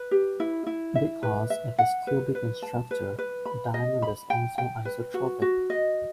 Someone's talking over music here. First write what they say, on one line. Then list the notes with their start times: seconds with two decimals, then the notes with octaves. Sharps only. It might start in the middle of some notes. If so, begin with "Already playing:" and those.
Because it is cubic in structure, diamond is also isotropic.
Already playing: B4
0.11 G4
0.40 E4
0.67 E4
0.95 E5
1.23 B4
1.50 E5
1.78 F#5
2.07 B4
2.35 B4
2.62 A5
2.91 B4
3.19 B4
3.46 B5
3.74 D#5
4.02 B5
4.30 G5
4.58 G5
4.85 B4
5.14 F#4
5.42 F#4
5.70 D#5